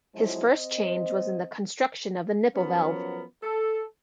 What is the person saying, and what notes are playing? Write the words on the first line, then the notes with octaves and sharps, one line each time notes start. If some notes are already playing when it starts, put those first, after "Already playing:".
His first change was in the construction of the nipple valve.
F2 F3 F#3 G#3 E4
C4 C5 D#5
F3 F#3 B3 C#4 A#4
A4